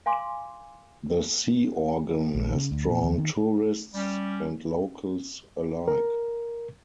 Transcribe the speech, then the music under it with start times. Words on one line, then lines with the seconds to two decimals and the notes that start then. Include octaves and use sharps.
The Sea Organ has drawn tourists and locals alike.
0.06 F5 G#5 C6 D6
2.35 A#1
2.55 C#3
2.71 D2
2.90 A#2
3.03 D#2
3.18 D#3
3.94 G3 C#4
5.88 A#4